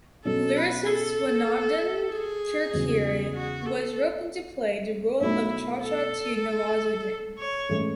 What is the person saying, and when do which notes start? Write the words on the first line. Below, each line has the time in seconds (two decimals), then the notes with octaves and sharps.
Lyricist Swanand Kirkire was roped into play the role of chacha to Nawazuddin.
0.25 B2 F#3 C#4 A4
0.56 B4
0.87 A4
2.11 G#4
2.73 E2 C#3 F#3
3.35 F#4
3.66 A4
5.20 B1 B2 F#3 A3 E4
5.83 A4
7.38 C#5
7.69 A2 E3 G#3 C#4